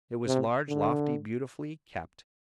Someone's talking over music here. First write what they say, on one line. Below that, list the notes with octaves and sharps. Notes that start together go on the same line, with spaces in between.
It was large, lofty, beautifully kept.
C3
D3